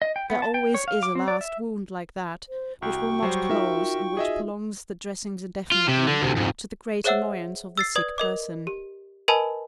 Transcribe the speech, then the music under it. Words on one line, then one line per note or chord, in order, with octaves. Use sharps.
There always is a last wound like that which will not close, and which prolongs the dressings indefinitely, to the great annoyance of the sick person.
D#5
G5
B3
A5
G5
C#5
F5
D6
C4
D5
E5
C5
C2 F#4 G5 C#6
F#3 G3 C5
D#4 F4 A#4 E5
G#4 D#5 E5
F4
C3
D3
D2 C3
F2 G#2
G#4 C5 C#5 E5 F#5 E6
E6 A6 C7
B4 D5 D#6 G#6
A#4 D#5 D6
G4
A#4 B4 D#5 G#5 A5 B5